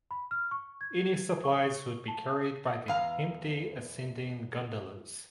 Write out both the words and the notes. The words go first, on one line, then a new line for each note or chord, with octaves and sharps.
Any supplies would be carried by the empty ascending gondolas.
B5
F6
C#6
G#6
C#6
A5
E2 F5 A#5